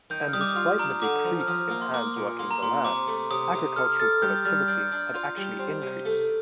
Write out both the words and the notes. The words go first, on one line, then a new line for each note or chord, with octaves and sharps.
And despite the decrease in hands working the land, agricultural productivity had actually increased.
D#3 G6
F6
G3 D#6
D6
D#6
F4 F6
D4 A#5
D3 D6
F3
F6
F3 D#6
A#3
C6
A#3 D6
A#2
A#3 C6
A#5
A#2 C6
C3 D6
A3
C3 D#6
C3
A4 F6
A4 F6 A6
G3 G6
G3 F6 A6
D4 G6
D4
F4
G3
C4
C3
A3